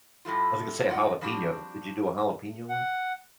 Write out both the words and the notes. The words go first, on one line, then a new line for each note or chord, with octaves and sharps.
I was gonna say, jalapeno did you do a jalapeno one?
A2 G3 A3 F4
F4 D5 D#5 F#5 G5
F3 G3 C4 D4 F#4 G4
F#5